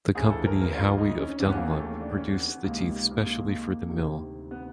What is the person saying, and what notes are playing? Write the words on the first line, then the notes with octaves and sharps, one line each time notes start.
The company Howie of Dunlop produced the teeth specially for the mill.
D2 C#3 E3 G#4
A4
A#4
A#4
F4
D#4
C#4
D#2 C#3 E3 C#4
B3
A#3
A3
A3
D4
C#4
B3
B3
C#2 C3 D#3 A#3
A#3
A#3
A#3
A#3
D2 C3 D#3
B3